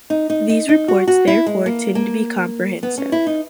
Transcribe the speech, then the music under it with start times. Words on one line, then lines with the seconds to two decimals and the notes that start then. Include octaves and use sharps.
These reports therefore tend to be comprehensive.
0.10 D#4
0.30 D#4
0.50 D#4
0.69 D#4
0.88 F#4
1.07 F#4
1.27 E4
1.47 G#3
1.66 A#3
1.95 A#3
2.83 B3
2.98 C#4
3.12 E4
3.27 D#4